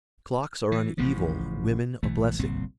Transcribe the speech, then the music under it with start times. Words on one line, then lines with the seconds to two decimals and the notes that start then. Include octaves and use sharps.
Clocks are an evil, women a blessing.
0.72 E3
0.98 A1 A2 C#3 F3
2.03 B1 E3 A3
2.39 G1 C2 A#2 C4